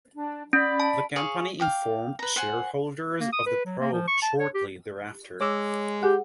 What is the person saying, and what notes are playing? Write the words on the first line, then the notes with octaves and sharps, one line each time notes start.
The company informed shareholders of the probe shortly thereafter.
D4
C#4 D5 B5
A5
G#4 C#5 F5 C#6
F5 G5 D6
B4 A#5
C5 F#5 G#5
A#3
D#6
B4
F#3
A#3
F3
C#6
A5
C#5
G4
G#3 C#5 D6 E6
G4 G#4 F#5